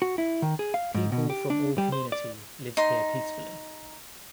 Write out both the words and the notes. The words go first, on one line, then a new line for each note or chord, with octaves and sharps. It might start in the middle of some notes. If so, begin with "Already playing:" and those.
People From All Community Lives here Peacefully.
F#4
E4
D#3
G#4
F5
G#2
B2
G4
D4
G3
C5
D5
D#4 C6